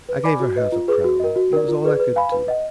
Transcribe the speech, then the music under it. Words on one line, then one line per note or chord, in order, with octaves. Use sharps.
I gave her half-a-crown; it was all I could do.
B4
D5 G#5 B5 D6
F#4
B4 D#5
F4
G#4 B4
F#4
A#4 D#5
F#4
A#4 D5
F4
G#4 B4 D5
B4
F5 G#5 B5
B4
D#5 F#5